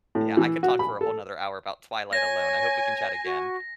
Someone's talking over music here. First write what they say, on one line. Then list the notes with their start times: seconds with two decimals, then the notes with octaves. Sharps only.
Yeah, I could talk for a whole 'nother hour about Twilight alone, I hope we can chat again.
0.15 A2
0.37 E3
0.63 F#4
0.79 B5
1.01 A4
2.13 C#5 G#5 A#6
3.24 F#4